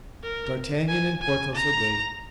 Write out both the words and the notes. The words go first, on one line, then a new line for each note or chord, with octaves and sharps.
D'Artagnan and Porthos obeyed.
A#4
G#5
G#5
A#5